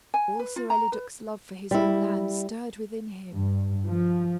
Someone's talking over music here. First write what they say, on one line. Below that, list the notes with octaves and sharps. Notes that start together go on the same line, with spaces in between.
All Sir Eliduc's love for his own land stirred within him.
G#5
B4
F4
A#5
B4
G3 E4
G2
F3